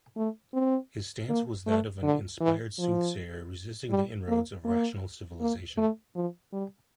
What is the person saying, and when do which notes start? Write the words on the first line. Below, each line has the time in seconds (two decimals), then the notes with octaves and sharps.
His stance was that of an inspired soothsayer resisting the inroads of rational civilization.
0.17 A3
0.53 C4
1.29 A#3
1.67 A3
2.03 D3
2.41 E3
2.79 F3
3.91 G3
4.28 A#3
4.65 A#3
5.40 A#3
5.77 A3
6.15 F3
6.53 G3